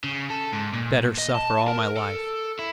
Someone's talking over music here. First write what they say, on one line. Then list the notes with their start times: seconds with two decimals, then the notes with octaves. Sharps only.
"Better suffer all my life."
0.04 C#3
0.30 A4
0.53 G#2
0.73 A#2
1.18 D#5
1.35 A5
1.68 A#4
1.96 A4
2.59 E4